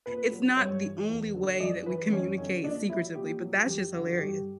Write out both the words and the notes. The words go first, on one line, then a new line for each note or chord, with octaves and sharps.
it's not the only way that we communicate secretively, but that's just hilariou
A#2 B4
F#3
G2 C#5
E3
E2
D3 F#3
F#2 D5
E3 B4
F#2 C#4
D3 F#3 C#4
A#2 D4
F#3 E4
A#2 G4
F#3
F#2 G4
D3 F#3 F#4
F#4
G2 G4